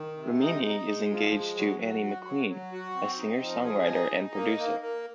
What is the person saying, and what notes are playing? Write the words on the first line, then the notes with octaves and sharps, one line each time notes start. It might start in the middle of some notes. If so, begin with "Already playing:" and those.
Ramini is engaged to Annie McQueen, a singer-songwriter and producer.
Already playing: D#3
C3
D#4
D#4
G#3
F3
G#3
F#3
F#3
F#4
F#3
F#3
F#4
C4
D#4
F3
G#4
D#4
D#4
A#3
A#3
A#3